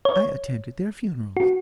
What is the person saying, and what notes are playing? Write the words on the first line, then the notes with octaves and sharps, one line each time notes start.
I attended their funerals.
C#5
F#4